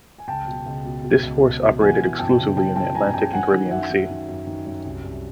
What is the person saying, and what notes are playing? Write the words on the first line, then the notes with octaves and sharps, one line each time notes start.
This force operated exclusively in the Atlantic and Caribbean Sea.
G#5
C#2 G5 A5
B2
C#2
B2
B2
C#2
B2
B2
E3 F#5 G#5
E3
F#2 G5 A5
C#3
F#2 G5 A5
C#3 G5 A5
C#3 G#5 A#5
F#2 G5 A5
F#2 F#5 G#5
D#3
F#2 E5 F#5
D#3
D#3
F#2
D#3
F#2
C2
C2